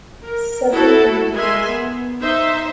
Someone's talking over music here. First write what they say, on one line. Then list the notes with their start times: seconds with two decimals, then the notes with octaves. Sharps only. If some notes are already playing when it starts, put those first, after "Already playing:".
Several commissions.
0.22 A#4
0.71 E4 F#4 A4
1.33 G#3 A#4 E5 G#5 C6
1.68 B3
2.20 D#4 C5 E5